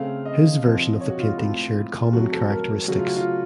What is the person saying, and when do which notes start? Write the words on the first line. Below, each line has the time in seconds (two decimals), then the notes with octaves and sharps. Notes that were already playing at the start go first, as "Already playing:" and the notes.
His version of the painting shared common characteristics.
Already playing: C#3 A3 C4 F5
0.26 D#5
0.63 C3 F3 C4
1.00 C#5
1.10 F#4
1.19 F4
1.29 F#4
1.38 A2 A3 C4 F4
2.01 F4
2.13 C3 F#3 A3 F#4
2.32 A4
2.50 A#4
2.87 C#3 F#3 A3 F#4
2.98 F4
3.07 F#4
3.16 F4